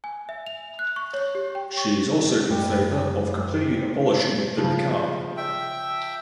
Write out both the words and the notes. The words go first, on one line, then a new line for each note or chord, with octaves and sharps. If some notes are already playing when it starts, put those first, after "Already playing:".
She is also in favor of completely abolishing the niqab.
G#5
E5
F7
F#6
C#6
C#5
G4
G5
C#6
F#2 G3
C#3 F3
E5 G5